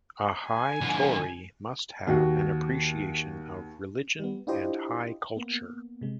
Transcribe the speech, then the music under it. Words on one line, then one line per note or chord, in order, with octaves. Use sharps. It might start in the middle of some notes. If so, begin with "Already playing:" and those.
A "High Tory" must have an appreciation of religion and high culture.
G#5
D3 F3
D#2 F#4
G3 B3
D4 E4 F4 G4 C5 D#5
A#3 B3
C3 G#3